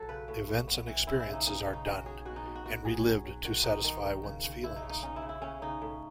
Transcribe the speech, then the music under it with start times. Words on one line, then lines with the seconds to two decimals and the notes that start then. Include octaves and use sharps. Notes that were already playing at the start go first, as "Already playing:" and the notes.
Events and experiences are done and relived to satisfy one's feelings.
Already playing: F#3 A4
0.09 C#3 B4
0.28 A2
0.48 A2
0.68 B3
0.87 E3
1.07 C#4 E4
1.20 E4
1.27 C#3
1.33 D#4
1.47 C#4 D#4
1.60 D#4
1.67 C#3
1.73 D#4
1.86 C#4 F#4
2.06 C#4 G#4
2.25 B2 F#4
2.36 D#4
2.46 B2
2.55 F#4
2.66 B2 F#4
2.85 F#3 G#4
3.05 F#3
3.25 F#3
3.45 D#3 F#4
3.64 D#3 D#4
3.84 D#3 D#4
4.04 D#3
4.23 C#3
4.43 C#3
4.64 C#3 E4
4.76 D#4
4.83 C#3
4.90 D#4
5.03 C#4 D#4
5.16 E4
5.22 C#3
5.29 E4
5.42 C#3 C#4
5.62 C#3 D#4
5.82 A2